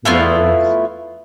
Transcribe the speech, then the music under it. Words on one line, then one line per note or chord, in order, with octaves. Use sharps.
Yeah, it is.
A3 B3 E4 F4